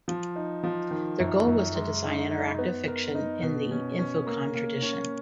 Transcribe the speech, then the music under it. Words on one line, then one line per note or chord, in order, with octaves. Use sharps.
Their goal was to design interactive fiction in the Infocom tradition.
F3
D#4
F3
D#3
F#2
F#2
G#3
D#4
D#4
B3
A#4
D#4
B2
C#4
C#4
A#3
A#3
C#4